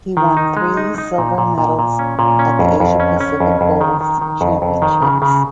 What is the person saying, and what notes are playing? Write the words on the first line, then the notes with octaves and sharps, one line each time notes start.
He won three silver medals at the Asia Pacific Bowls Championships.
D#3
D#4
G#3
D#4
D#4
A#2
A#2
A#2
A#2
C#4
A#2
C#4
F2
F2
C#4
C#4
F2
F2
D#3
D#3
D#3
F2
F2
D#3
C#3
C#3